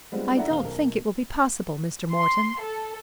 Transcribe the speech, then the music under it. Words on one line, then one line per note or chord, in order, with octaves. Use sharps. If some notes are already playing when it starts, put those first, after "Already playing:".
"I don't think it will be possible, Mr. Morton."
G3 G#3 B3 C4 D4 F4
D4 E4 A4 E5 F#5 A#5
D#1 F5 G7
B1 A#4
C6
A4